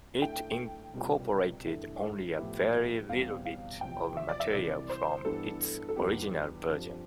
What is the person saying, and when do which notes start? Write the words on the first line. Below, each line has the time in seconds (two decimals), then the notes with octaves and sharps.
It incorporated only a very little bit of material from its original version.
0.22 D3 A3 E4 G5
0.94 C2 B2 G3 B3 F4
1.67 G2 E3 A3 E4
2.38 A2 F3 B3 E4 G4
3.09 E2 B2 G3 C4 F5
3.45 F5
3.81 E2 C3 F3 C4 G5
4.17 E5
4.29 D5
4.40 E5
4.53 C2 C3 E3 G3 D5
4.90 C5
5.25 G2 E3 G3 B3 D4 A4
5.89 A4
5.96 E2 D3 G3 B3 F4 G4
6.69 G2 D3 F3 C4